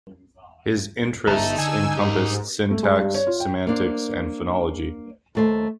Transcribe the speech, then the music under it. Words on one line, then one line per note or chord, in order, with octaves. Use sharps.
His interests encompassed syntax, semantics and phonology.
G1 D#4 A4 E5 A5 A#5
D3 G#5 E6
G#2 G4 A#4
A3
G#3
G2
C#5
F4
G5
A#3 D4 C5
D#2 A3 C5